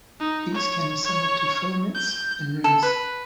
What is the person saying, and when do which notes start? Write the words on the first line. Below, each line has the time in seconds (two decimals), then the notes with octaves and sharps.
These can assemble to filaments and rings.
0.20 D#4
0.54 C#5
1.04 C#5
1.95 G6
2.64 A4
2.83 B4